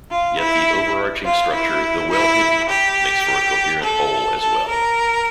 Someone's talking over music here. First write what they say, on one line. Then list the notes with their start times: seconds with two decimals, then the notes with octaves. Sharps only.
Yet the overarching structure, though well hidden, makes for a coherent whole as well.
0.10 F4
0.38 E4
1.24 F4
1.53 E4
2.10 E4
2.68 G4
3.82 A4
4.40 A4
4.68 A#4